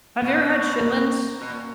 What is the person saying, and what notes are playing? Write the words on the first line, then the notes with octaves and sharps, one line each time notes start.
Have you ever had chitlins?
B2 B3
A#3
B2
A#2